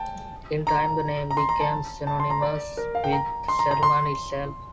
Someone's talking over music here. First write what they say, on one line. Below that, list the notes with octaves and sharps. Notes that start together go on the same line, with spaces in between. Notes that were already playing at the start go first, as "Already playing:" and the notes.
In time the name became synonymous with the settlement itself.
Already playing: G5 A5
A#5
A#5
C6
A#5
A5
A5
C6
A#5
D5
A#4
F5
G5
A#5
C6
A#5
A#5
C6